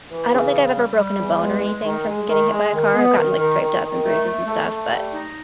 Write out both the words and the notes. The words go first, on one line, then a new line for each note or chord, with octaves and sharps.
I don’t think I’ve ever broken a bone or anything from getting hit by a car, I’ve gotten, like, scraped up and bruises and stuff. But,
E3
C#3
G3
G3
G3
E2
G#3
G#3
D#3
G#3
D#3
G#3
D#3
B3
D#3
D#3
D#3
D#3
A3
A3
A3
A3
G3
D#4